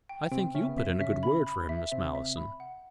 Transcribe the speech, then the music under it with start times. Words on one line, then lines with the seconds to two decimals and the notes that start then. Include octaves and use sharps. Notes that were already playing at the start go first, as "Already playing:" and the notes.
"I think you put in a good word for him, Miss Malleson."
0.09 G5
0.31 C3 C4 G5
0.55 C#3 C#4 E5
0.69 B3
0.77 C3 C4 E5
1.00 C#3 C#4 E5
1.23 B5
1.46 B5
1.69 E5
1.91 C3 C4 E5
2.15 E5
2.37 B5
2.60 F#5